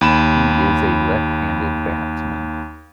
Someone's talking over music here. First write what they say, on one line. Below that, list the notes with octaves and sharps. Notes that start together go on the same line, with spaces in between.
He is a left-handed batsman.
D#2 B5 E7